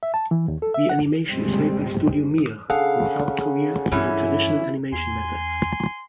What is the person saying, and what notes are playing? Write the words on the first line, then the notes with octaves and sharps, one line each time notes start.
The animation is made by Studio Mir in South Korea using traditional animation methods.
E5
A5
E3
D#2
A4
E5
F#5
F#1 A#2 G3 G#3 C4
C#3 D4 G#4 A4 F5 F#5
G2 E3 C#4 E4
E2 G#5 C6